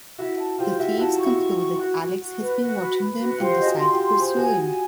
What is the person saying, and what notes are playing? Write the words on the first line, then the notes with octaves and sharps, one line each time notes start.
The thieves conclude that Alex has been watching them and decide to pursue him.
E4 F#4 E5
A5
F4 G4 C5
E4 F#4 E5
E4 F#4 A5
C#6
E4 F#4
C#6
C#6
F#4
F#4
F#4
B4
F#4
B4
B4
F#4
F4 G4 C5
D#5
F#4 G#4
C6
F4 G4
C6
G#4 C5
F#4 G#4 G#5
G#5